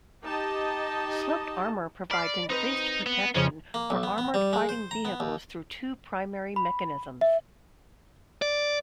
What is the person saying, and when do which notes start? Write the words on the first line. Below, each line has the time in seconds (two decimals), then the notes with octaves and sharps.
Sloped armour provides increased protection for armoured fighting vehicles through two primary mechanisms.
0.24 D#4 G4 D#5 A5
2.11 D5 B5 F6 C7
2.49 C4 D#4 B4
3.06 B3
3.35 F2 C#3 C4 C#4
3.74 A#3
3.90 B1
4.03 B3
4.18 B3
4.34 G3
4.53 G#3
4.69 C5
4.91 A#5
5.05 B3
5.20 D#2
6.56 B5
7.21 E5
8.42 D5